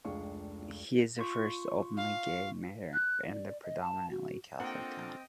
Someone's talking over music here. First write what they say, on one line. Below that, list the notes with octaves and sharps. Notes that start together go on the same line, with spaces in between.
He is the first openly gay mayor in the predominantly Catholic town.
F1 C#2 D4 G#4 F5 C#6
F4 C#6
F5
F#6
D5
D#5
A5
F#4
A#3 C4 D4 F4 A4 D#5 F#5 G5